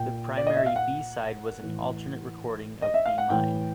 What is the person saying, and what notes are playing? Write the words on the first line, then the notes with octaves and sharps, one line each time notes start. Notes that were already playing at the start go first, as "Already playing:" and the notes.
The primary b-side was an alternate recording of "Be Mine".
Already playing: A#2 G5
D5
D#5
E5
F5
F#5
A2 E3
D#5
E5
F5
F#5
A2 E3 G5